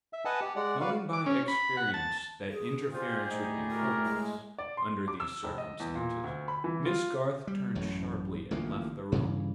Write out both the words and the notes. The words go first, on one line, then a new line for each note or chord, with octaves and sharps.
Knowing by experience that interference would be hopeless, under these circumstances, Miss Garth turned sharply and left the room.
E5
B4 D#5 F#5 G#5 A5
G4
G#3 D5 F#5
F#4 B4 D5 F5
D6
C#4
B5
F#5
A5
G#4
F4 G4 G#4 C5 D5
A2 D#4
F#4 A#4
G#3
D5
C6
D6
E6
F1
D#5
E2
A#2
D2
B5
E3
F4
G3
A1 F#2 A2
A1 D3 F3 A#3
G2 C#3 E3